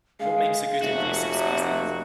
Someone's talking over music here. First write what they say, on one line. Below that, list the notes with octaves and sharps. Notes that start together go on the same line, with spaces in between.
What makes a good invasive species?
G#3 F5
F1 F#4 E5